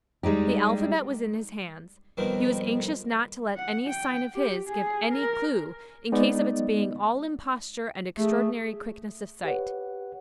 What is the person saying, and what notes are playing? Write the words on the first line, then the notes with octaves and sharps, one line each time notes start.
The alphabet was in his hands; he was anxious not to let any sign of his give any clue in case of its being all imposture and extraordinary quickness of sight.
G3 G#3 D#4 G4
F2 B2 D#3 G3 C4 A#4
F#5
G5
G4
G#4
A#4
G#3 B3 D#4 D5 D#5
A3 G#4
G4 B4 C#5 F#5